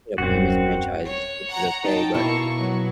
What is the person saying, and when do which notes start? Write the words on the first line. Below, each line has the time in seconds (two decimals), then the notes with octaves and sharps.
you know, previous franchises, which is okay, but,
0.18 D#1 F#2 C4 F#4
1.05 C#5
1.49 F#5 A#5
1.85 D#4 G5 A5
2.14 B2 A#3 E4 C#6
2.55 F#3